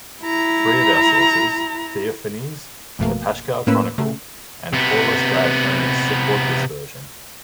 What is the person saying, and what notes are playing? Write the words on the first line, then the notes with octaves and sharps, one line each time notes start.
Three of our sources -- Theophanes, the "Paschal Chronicle", and Paullus Diaconus-support this version.
E4 A#5
G#1 F2 B2 A3 A#3
A2 A#3 C#4 B4 E6
C#3 A3
C3 B3